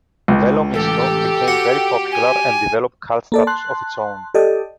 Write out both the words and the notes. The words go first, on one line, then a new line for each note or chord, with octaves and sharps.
"Velo misto" became very popular and developed cult status of its own.
C#2
A1 G4 A4
F#4 F#5
G#5
A#3 A4 D5
A5 C6 F#6
G4 A4 D5 D#5